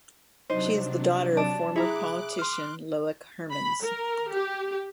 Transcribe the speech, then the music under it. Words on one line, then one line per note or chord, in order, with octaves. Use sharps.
She is the daughter of former politician Loek Hermans.
C3 F#3 D4 D#4 C5
D5 A5
E4 G#4 A#5 D6 F#6
C6 F6
B5
A#4
G4